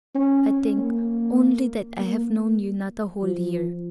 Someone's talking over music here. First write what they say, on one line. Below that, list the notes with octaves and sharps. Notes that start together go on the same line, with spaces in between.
I think only that I have known you not a whole year.
C#4
A#3
A#3
F3